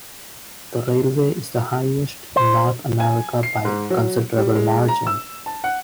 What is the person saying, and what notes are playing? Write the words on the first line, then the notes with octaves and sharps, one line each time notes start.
The railway is the highest in North America by a considerable margin.
C5
G#5
C7
G#2
F#3
G3
G#3
A#5
E6
A5
F#5